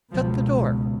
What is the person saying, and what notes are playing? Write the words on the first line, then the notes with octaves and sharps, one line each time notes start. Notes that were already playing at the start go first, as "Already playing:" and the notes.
Shut the door!
C#2 B2 F3